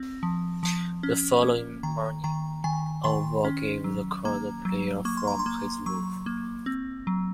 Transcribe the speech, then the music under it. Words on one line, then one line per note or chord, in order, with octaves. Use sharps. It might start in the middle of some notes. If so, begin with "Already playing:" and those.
The following morning, Urwah gave the call to prayer from his roof.
Already playing: C4
F3
F3
C#4
A#3
D#3 A#5
D#3 A#5
D#3 G#5
D#3 C6
C#4
F#3
A#3 A#5
F#3
A#3 C#6
C6
A#5
C6
A#3
F#3 C#6
A#3
C4
F#3